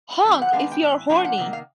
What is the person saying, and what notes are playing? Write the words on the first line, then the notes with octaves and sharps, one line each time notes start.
Honk if you are horny!
E3 G3 C4
F#5
D#3 G#3 B3 D4 F5
G5
A2 E3
F3 A#3 D4 G5
F#5
C3 D#3 A#3
F5